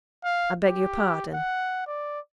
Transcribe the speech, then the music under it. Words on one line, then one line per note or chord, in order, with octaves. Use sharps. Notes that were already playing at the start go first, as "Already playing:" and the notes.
I beg your pardon.'
F5
G4
F#5
D5